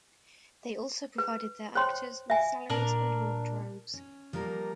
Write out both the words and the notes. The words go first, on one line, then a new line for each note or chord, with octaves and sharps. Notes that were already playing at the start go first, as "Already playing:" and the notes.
They also provided their actors with salaries and wardrobes.
B4
C5 C#5 G5 C6
E5 G#5
A#2 D4 A#4
C#4
F3 G3 A#3 A#4